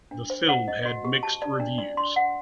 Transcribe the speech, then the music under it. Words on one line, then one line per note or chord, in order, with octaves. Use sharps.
The film had mixed reviews.
D4
C5
F#5
D#5
F#4
G4
A5
D5
D4
D5
C6
F#5